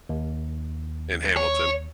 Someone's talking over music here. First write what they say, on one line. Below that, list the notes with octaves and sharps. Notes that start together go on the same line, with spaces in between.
in Hamilton.
D#2
C#5